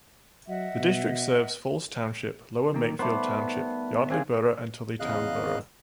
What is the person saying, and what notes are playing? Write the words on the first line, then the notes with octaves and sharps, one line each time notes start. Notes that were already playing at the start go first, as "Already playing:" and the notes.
The district serves Falls Township, Lower Makefield Township, Yardley Borough, and Tullytown Borough.
F#3 D#5 E5 F#5
B2
D#3 A#3
D#3 G3 A3 B3 C5 B5 D6
C4 D4 G#4 C5 F5 G5
E2 C#3 D#5 F5 F#6